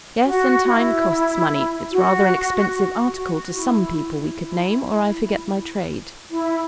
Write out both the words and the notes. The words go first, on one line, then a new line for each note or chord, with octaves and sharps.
Yes, and time costs money; it's rather an expensive article to some people we could name, or I forget my trade.'
F#4
E4
F#4
F#4
F#4
E4
E4
E4